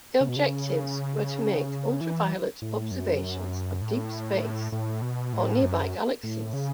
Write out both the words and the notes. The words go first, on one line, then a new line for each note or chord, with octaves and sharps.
The objectives were to make ultraviolet observations of deep space or nearby galaxies.
C#3
B2
C#3
E3
A2
F#2
A2
A2
B2
A2
F#2
A2
C#3